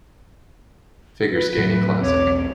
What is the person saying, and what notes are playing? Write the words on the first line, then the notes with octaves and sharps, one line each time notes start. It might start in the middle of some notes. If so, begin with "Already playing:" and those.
Figure Skating Classic.
B4
A2 F#3
B1 E2 C4 C#5 D6